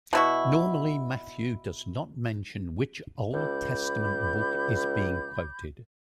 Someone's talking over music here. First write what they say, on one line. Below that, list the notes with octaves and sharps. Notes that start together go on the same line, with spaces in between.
Normally Matthew does not mention which Old Testament book is being quoted.
B2 E4 F#4
C#2 B5 D6 G6